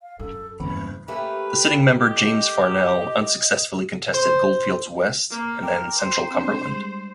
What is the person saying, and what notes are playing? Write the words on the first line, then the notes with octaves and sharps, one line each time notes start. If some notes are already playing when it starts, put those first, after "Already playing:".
The sitting member James Farnell unsuccessfully contested Goldfields West and then Central Cumberland.
F5
F#2 A4
F#1 E2 G2 B5
A3 A#3 C#4 G4 B4
G4 D#5
C5
A#3
A#4 G5 A#5 D6
C5
C4 D4
G3 G#3